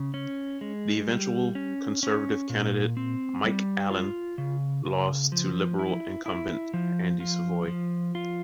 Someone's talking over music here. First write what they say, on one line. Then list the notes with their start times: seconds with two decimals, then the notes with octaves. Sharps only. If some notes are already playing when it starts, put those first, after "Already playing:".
The eventual Conservative candidate, Mike Allen, lost to Liberal incumbent Andy Savoy.
Already playing: C#3
0.14 C#4
0.61 G#3
1.08 G3
1.55 C#4
2.03 C#4
2.50 A#2
2.97 C4
3.44 G3
3.91 F4
4.38 C#3
4.85 C#3
5.32 F3
5.79 E4
6.26 E4
6.74 F3
7.20 F4
7.68 F3
8.15 F4